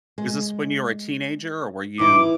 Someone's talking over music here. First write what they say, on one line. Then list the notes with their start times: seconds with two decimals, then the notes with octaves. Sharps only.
Is this when you were a teenager or were you
0.18 G#3
1.99 E3 D#4 E4 D6